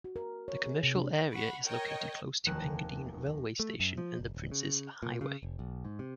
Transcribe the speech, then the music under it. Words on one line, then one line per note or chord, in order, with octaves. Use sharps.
The commercial area is located close to Engadine railway station and the Princes Highway.
F#4
A#4
C#5
G#4
C3
D4
F#5 B5 C#6
A#4 C#5 D#5 G5
F1 D#2 A3 G5 F#6 E7
A3
F#2
F3
F#1
D1
C#3
A#2
C#3
F1
B1
G#2
C3